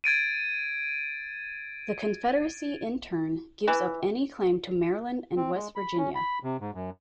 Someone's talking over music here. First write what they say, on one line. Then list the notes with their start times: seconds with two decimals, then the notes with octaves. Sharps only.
The Confederacy, in turn, gives up any claim to Maryland and West Virginia.
0.04 G#6 A6 D7 D#7
3.68 E3
5.37 C4
5.55 G#3
5.76 B5
5.98 C#4
6.15 B5
6.43 C3
6.61 G#2
6.74 F#2